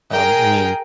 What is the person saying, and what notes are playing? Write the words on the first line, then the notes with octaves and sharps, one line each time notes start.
um, I mean,
G#4 A#4 G5